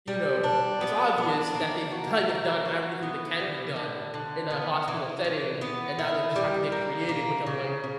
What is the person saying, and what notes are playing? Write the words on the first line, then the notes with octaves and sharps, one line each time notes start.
you know, it's obvious that they've kind of done everything that can be done in a hospital setting, and now they've just had to get creative, which I'm like,
G3
D4
B3
D4
A#3
F#4
A#3
F#4
B3
G3
D3
D3
B3
E3
E3
B3
E4
G3
A#3
A#3
C#3
C#3